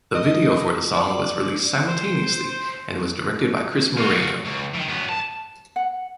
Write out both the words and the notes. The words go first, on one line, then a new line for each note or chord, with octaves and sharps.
The video for the song was released simultaneously and was directed by Chris Moreno.
D#5
D5
C5
F4 F#4
C#2
D#3 E3
F#2 B3
A5
F#5